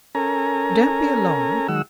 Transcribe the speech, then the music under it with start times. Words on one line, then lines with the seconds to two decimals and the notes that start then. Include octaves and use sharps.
Don't be alarmed.
0.15 C#4 A4 A#4 G#5 A#5
1.68 D#3 F#3 G#3 F#5 E6